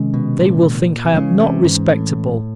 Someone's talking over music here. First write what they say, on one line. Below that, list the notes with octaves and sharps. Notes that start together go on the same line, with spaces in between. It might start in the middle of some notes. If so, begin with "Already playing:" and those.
They will think I am not respectable.
Already playing: C3 D#3 G#3 C#4
B2
A#2
C3
C#3 E3 G#3 C#4
C3
G#2
A2